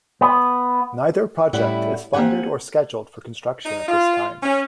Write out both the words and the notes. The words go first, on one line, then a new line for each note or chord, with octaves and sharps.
Neither project is funded or scheduled for construction at this time.
B3
A2 G3 C#4 E4 E5 F#5
A#3 C4 G4 F#5 G#5
D#4
F4
C#4